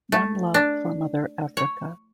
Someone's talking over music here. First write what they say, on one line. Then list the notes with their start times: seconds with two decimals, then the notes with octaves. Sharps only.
One Love for Mother Africa.
0.12 A3
0.54 D4
1.57 C#5